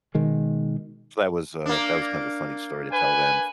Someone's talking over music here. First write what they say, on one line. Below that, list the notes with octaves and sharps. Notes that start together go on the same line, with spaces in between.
So that was, uh, that was kind of a funny story to tell them.
B2 D#3 G#3
A#3 D4
B4 G#5